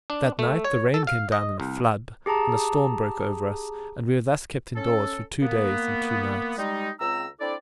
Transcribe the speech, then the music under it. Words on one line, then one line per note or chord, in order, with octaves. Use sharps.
That night the rain came down in a flood, and a storm broke over us, and we were thus kept in doors for two days and two nights.
D4
A3
C#5
A4
F5
D#5
C2
G4 G#4 A5 A#5
C#4 A4
A#3 B3
G3 G#3 D#4
C#2 C4 A#5 E6
C4 D4 E4 A4 D5